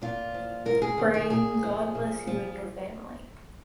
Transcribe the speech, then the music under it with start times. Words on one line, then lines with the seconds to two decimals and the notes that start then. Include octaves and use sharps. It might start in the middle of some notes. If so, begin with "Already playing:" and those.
Brain, God bless you and your family.
0.02 A#2 F4
0.34 F3
0.66 G#2 A#4
0.82 G#4
0.98 D#3
1.14 G#4
1.30 A#2 G#4
1.63 F3
1.95 A#2
2.27 F3